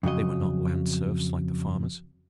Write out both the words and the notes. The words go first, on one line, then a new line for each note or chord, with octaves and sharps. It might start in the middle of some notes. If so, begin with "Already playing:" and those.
They were not land serfs like the farmers.
F2 C#3 F#3 D#5